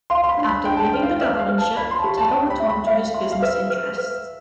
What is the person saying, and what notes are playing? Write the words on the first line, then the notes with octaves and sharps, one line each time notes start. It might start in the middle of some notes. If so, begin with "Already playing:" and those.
After leaving the governorship Tuttle returned to his business interests.
F5 C6
C6
B5
D4 C6
B5
D4 G5
A5
G5
B4
F5
B4 E5
F5
B4
A5
D5 B5
C6
A5
G4 B5
A5
G5 A5
B5
E5
B5
E5 F5
C6
F5
B4 E5
B4
B4